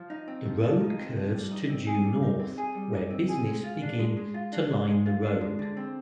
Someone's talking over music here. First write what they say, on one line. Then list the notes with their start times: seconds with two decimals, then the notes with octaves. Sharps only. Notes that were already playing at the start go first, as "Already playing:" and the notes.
The road curves to due north where business begin to line the road.
Already playing: F3
0.10 D#4
0.28 C4
0.46 F3
0.63 F3
0.81 D#4
0.98 C4
1.16 F3
1.33 G3
1.51 D#4
1.69 C4
1.87 G#4
2.05 G3
2.23 D#4
2.40 C4
2.58 G#4
2.75 G3
2.93 D#4
3.11 C4
3.29 G#4
3.46 G#3
3.64 F4
3.82 D4
3.99 G#3
4.17 G#3
4.34 F4
4.53 D4
4.70 G#3
4.88 G#3
5.06 F4
5.23 D4
5.41 G#3
5.59 D3
5.77 C4